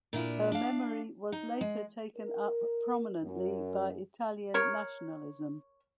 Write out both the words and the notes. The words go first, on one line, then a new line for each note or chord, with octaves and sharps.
Her memory was later taken up prominently by Italian nationalism.
A#2 D4 E4 F4
D4 F5
D#4
G#3
A#4
F#2
A#4 C#5